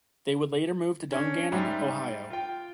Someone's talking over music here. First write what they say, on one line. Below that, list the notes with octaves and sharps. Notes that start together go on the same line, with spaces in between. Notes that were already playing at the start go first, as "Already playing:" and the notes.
They would later move to Dungannon, Ohio.
C#4 D4
G#2 G3 G4 E5 A#5
F4 G5